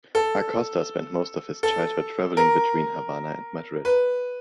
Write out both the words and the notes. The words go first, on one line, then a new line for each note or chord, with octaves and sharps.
Acosta spent most of his childhood travelling between Havana and Madrid.
A4
A4
A#4
B4